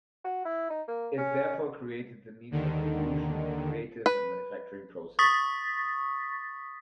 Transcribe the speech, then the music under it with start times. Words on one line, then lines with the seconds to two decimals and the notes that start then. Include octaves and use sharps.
It therefore created the need for a revolution in the creative and manufacturing process.
0.25 F#4
0.45 E4
0.70 D#4
0.88 A#3
1.18 C#4
2.51 D#2 D3 D#3
4.06 B4
5.19 C#6 D#6 A6 B6